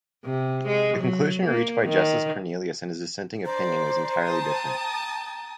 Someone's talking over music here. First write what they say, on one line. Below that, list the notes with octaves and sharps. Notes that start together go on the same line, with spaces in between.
The conclusion reached by Justice Cornelius in his dissenting opinion was entirely different.
C3
G#3
F#3
A#3
D#3
D4 C5 D5 A#5
G5 A5 D#6